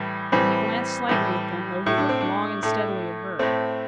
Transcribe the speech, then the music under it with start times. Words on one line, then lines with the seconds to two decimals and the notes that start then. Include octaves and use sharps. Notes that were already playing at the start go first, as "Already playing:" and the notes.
But he glanced slightly at them, though he looked long and steadily at her.
Already playing: A2 E3 G3
0.32 A2 E3 G3 C4
1.09 A2 E3 G3
1.86 A2 A3 E4
1.98 D4
2.09 C4
2.21 D4
2.63 A2 A3
3.39 A2 A3 C4